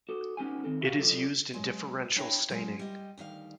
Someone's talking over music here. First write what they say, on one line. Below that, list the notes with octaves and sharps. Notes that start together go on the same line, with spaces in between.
It is used in differential staining.
F#4 A4
B3 C#4 D#4 G4 G#5
D#3 C4 A4
E4 F#4 G4 F5
F#3 E4 F4 G#4 A4 D5
F#3 G#3
D4 E4 C#5 E5 G5 A#5
F#3 G#3 C4 C#4
G3 D#5
D2 D#3 G3 F5